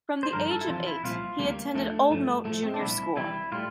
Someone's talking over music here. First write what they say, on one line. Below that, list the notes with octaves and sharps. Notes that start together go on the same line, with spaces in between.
From the age of eight he attended Old Moat Junior school.
C5
G2 D3 F3 A#4
A4
E4
E2 C3 F3 F4
E4
C2 A#2 F3 F4
D2 C3 G3 A#3
D2 D3 F3 A3
G2 D3 F3
A2 F3 A3
C4
D4
C2 A#2 F3 E4
C2 C3 E3 G3 E4
A2 G3 F4